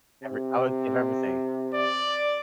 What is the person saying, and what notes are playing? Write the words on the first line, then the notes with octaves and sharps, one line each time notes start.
every I would give everything.
C3
D5